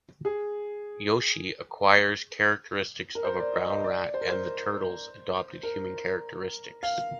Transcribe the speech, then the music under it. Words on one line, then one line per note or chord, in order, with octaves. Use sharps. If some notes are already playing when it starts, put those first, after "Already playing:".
Yoshi acquires characteristics of a brown rat and the turtles adopt human characteristics.
G#4
A#4
C5
D5
D#5
D#5
D5
C5
A#4
C5
A#4
F5